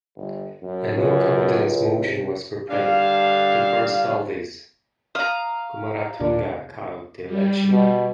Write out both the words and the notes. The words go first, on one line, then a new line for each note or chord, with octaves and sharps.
A no-confidence motion was prepared; to forestall this, Kumaratunga called the election.
G1
F#2
C#2 F#2
C3
G2 D3 D4 F5
F5 A#5 D#6
D#2 A#2 D4
G3
B2